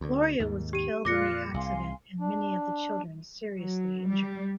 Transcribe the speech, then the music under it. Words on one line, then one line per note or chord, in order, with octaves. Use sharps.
Gloria was killed in the accident and many of the children seriously injured.
D2 D3
D#2 G#2 D#3
G4 D#7
F2 A#2 F4 D5 D6 F#6 A#6 C#7
C2 F5 G#5 C6
D4
F#3
G3